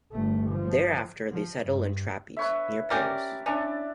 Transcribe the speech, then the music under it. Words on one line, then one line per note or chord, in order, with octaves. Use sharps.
Thereafter they settled in Trappes, near Paris.
G1 A3
F3
F3
G2
B4 C#5 E5
C#4 G4 A#4 D5
C#4 D4 E4 D5